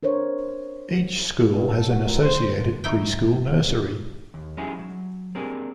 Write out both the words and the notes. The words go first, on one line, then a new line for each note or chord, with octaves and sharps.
Each school has an associated pre-school nursery.
D4 A#4 C5 C#5
G2
A4
F#4
A#2
C5
F#2 A#2 D3
E3 D#4 E4 G5
G#2
F1 G2
D#2
F#3 C#4 D#4 E4 G4 G#4
F#3
A#3 C4 D4 G4 G#4 A#4